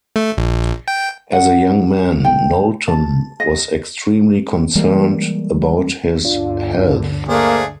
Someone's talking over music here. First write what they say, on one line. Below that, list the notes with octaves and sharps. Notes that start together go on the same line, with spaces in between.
As a young man, Knowlton was extremely concerned about his health.
A3
A#1
G5
F#5
G5
A5
D#5
E3 G3 G#3 A#3
G1 D2 D3 D4 F4
A3 A#3 D4 G#4 C5 F5